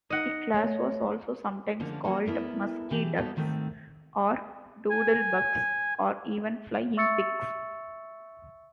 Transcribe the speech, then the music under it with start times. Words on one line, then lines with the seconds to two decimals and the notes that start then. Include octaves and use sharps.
The class was also sometimes called "mucky ducks" or "doodle-bugs" or even "Flying Pigs".
0.10 D#4 D#5 F#5
0.54 A3 C#5
1.80 D3 F3 A#3 C#4 D4
2.04 F#3 A#3 C#4 F#4 A4
2.25 B3 E4 A4 A#4
2.90 B2 E3 G4 G#4 A5
3.18 G3 B3 D#4 E4 F#4 A4
3.36 G#2 D#3 A3 C4
4.90 G#5
6.97 E5 C#6 E6 A6 C#7